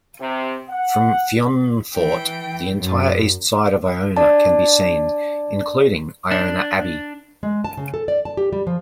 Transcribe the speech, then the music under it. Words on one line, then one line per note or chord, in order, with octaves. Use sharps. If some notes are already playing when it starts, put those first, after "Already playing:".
From Fionnphort, the entire east side of Iona can be seen, including Iona Abbey.
C3
F#5
E3 G5
F#2
D4 D5 A5
D4
G#3
A5
C#3
A4
D5
A5
G4
G3
F3